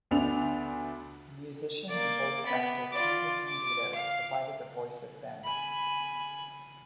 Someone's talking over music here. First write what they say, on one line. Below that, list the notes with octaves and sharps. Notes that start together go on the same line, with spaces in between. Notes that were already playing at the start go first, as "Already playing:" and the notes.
Musician and voice actor Candy Candido provided the voice of Ben.
D2 B3 D4 F7
A#3 D5
B3 B5
F4 D5
D6
F5
G#5 B5